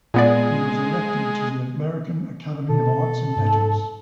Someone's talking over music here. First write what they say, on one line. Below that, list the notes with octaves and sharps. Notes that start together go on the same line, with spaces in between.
He was elected to the American Academy of Arts and Letters.
A#2 G#3 B3 D5
B2 A4
G#2